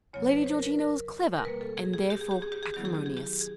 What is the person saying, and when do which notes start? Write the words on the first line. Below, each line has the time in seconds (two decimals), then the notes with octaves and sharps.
Lady Georgina was clever, and therefore acrimonious.
0.13 E2 C#3 F#3 B3 C#5
0.29 B4
0.42 C#5
0.46 C5
0.54 A#4
0.63 B4
0.79 A#4
1.37 A#4
1.45 B2 G3 A#3 B4
1.61 A4
1.77 G#4
1.94 G#4
2.10 G4
2.21 G#4
2.31 G4
2.42 G#4
2.52 G4
2.63 G#4
2.74 D#3 F#3 B3 E4 G4
2.85 G#4
2.94 G4
3.06 G#4
3.17 G4
3.41 G#4